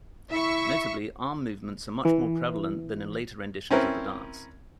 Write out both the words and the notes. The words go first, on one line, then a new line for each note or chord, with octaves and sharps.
Notably arm-movements are much more prevalent than in later renditions of the dance.
E4 E5 C#6
E3
C4 C#4 E4 A#4 B4